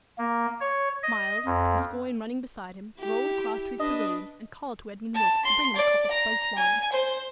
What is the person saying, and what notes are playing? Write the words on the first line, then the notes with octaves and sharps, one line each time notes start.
Myles, with Gascoyne running beside him, rode across to his pavilion, and called to Edmund Wilkes to bring him a cup of spiced wine.
A#3
C#5
D#5
F2
E4 G4
D4 B4 D#5
A5
C6
D5
A#5
G#5
C5